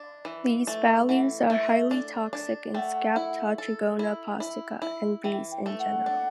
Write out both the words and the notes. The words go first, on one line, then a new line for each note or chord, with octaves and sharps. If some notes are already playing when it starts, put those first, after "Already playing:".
These values are highly toxic in "Scaptotrigona postica" and bees in general.
Already playing: D4
E3
A3
E3 F#5
A3 E5
D4
D4
A3 F#5 G5
E4
A4
E4
E4
E4
E3 G5
G5
A3
F#5
D4